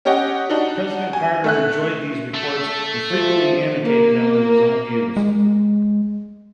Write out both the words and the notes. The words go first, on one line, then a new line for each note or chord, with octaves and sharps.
President Carter enjoyed these reports and frequently annotated them with his own views.
C#4 G4 C#5 D#5 F#5
D4 D#4 F#4
G#5
A3 E5 F#6
A3
F3
A#3
G#3